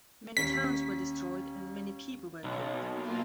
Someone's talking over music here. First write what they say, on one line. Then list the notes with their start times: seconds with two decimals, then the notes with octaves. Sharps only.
Many towns were destroyed and many people were killed.
0.37 D#2 C#4 B6
2.44 B1
2.91 A#3 F4